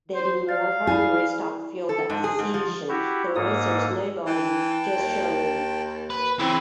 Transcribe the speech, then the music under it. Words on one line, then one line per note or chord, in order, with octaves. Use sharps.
They didn't want her to race Top Fuel, the association, the racers, nobody...Just Shirley.
C5
D5 F5 A6
E4 G#4 D5 B5
A4
G#2
G#4
G#2
F3
E4 F#4 G4
G#2 A#3 A4 D#6
E3 G5 A5
D#2
B4
C#3 E3 C4